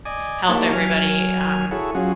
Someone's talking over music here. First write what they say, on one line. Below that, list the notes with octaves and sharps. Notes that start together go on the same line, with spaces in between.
help everybody, um,
D5 D#5 G#5
A#3 D#4 E4 G4 C#5 A5
F#3 G#5 F6
E4 F#4 G#4 A4 C#5
F#3 C#4 F4 F#4 G#4